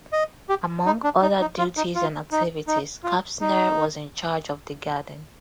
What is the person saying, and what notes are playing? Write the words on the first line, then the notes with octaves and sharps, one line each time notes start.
Among other duties and activities, Kapsner was in charge of the garden.
D#5
G4
D#4
D4
D#4
D#4
F4
D#4
F4
D#4
D#4
F4
D#4